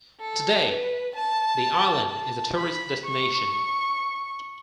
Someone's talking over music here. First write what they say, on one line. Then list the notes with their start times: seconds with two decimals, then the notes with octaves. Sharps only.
Today, the island is a tourist destination.
0.20 A4
0.67 B4
1.15 A5
2.09 A5
2.58 B5
3.05 C#6